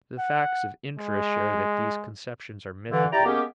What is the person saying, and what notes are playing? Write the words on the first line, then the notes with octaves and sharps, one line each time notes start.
The facts of interest show that these conceptions are mythical.
F#5
G#3
G2 D3 E3
E4 G4 D5 G5 A#5
G#3 A#3 B3 C#4 G4